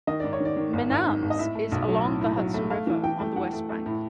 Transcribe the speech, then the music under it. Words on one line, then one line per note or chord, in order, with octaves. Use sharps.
Menands is along the Hudson River on the west bank.
D#3 D#5
G#2 D5
C#5
D#3 D5
D#3
G#1
G#1
G#2
G#1
D#5
A2 E5
A3
B1
F#3
A2
A2
F#3
A3
A3 F5
E3
E3 G5
A3
E3 F#5
A3
A3
A2